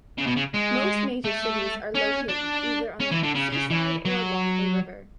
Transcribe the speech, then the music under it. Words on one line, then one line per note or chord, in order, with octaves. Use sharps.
Most major cities are located either on the seaside, or along a river.
C#3
B2
C#3
G#3
A3
C#4
D4
C#4
E3
D3
C#3
C#3
E3
F#3